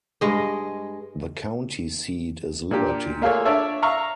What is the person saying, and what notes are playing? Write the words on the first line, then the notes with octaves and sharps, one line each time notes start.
The county seat is Liberty.
G2 G#3 D#5
A#2 D4 G4
A3 A#3 F4 G#4 A4 C#5
D4 C#5 D5 E5 A5
E5 F5 A#5 C#6